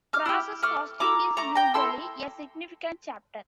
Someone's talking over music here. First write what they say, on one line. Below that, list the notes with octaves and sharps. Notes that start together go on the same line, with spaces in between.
Process costing is usually a significant chapter.
D6 F6
E4 G4
A3 D6 F6
E4 A4 A#5 D6
A3 A#5 D6
G5 A#5
E4 A4 C6 E6